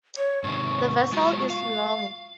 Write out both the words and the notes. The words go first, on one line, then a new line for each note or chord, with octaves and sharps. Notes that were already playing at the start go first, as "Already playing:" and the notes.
The vessel is long.
C#5
G#2 C3 D#3 C#6
G#3 F4 F#4
F5